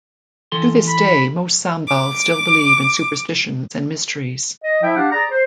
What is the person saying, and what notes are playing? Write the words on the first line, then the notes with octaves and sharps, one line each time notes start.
To this day, most Sambal still believe in superstitions and mysteries.
E3 A4 C6
B5
D6
D#5
F3 E4 E5 G5
D4 G4 F5 F#5
G#4 D5 A#5
C5